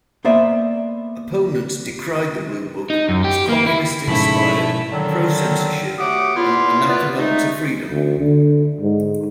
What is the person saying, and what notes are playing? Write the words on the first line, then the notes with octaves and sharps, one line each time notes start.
Opponents decried the Blue Book as Communist-inspired, pro-censorship, and anathema to freedom.
A#3 B3 C5 D5 E5
D#4
F#2
G4
A#3
E4
G#2 B2 F3 A3 C#4 E4 B5
D3 D#3 F#3
F#3 A3 G4 F#5 D6 D#6
E2 B3 E4 F4
F#2 A3 B3 F4 B4 D5
G#3 A3 D#4
D2
D3
G#2